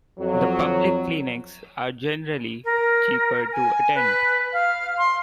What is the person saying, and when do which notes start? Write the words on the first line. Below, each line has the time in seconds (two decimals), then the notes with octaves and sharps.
The public clinics are generally cheaper to attend.
0.18 F2 F#3
2.65 A#4
3.52 G#5
3.95 B4
4.53 F5
4.98 C6